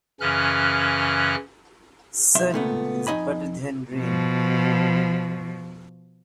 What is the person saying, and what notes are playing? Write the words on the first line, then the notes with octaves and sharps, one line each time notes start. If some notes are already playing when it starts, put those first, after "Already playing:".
Sun is better than rain.
F#2 C#3 E3 C#4 F6 F#6
B1 E5 C6
C#2 A#2 A3 B3
F2 F#3 D#4 D#5 G#5 B5
B2 F3